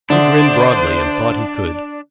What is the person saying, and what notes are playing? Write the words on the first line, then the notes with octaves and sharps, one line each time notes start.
He grinned broadly, and thought he could.
D3 D4 C5 D5 E5 D#6